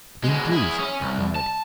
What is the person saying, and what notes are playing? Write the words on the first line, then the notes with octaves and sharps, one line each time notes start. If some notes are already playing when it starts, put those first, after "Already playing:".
"There it is!" I cried.
B2 G#3
E4 G#4
C#4
C2
A5